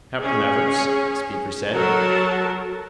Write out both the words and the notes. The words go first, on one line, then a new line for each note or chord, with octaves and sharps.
"Captain Everts," the speaker said.
C#4 G#4
F#3 F#4 A4 A#4 A5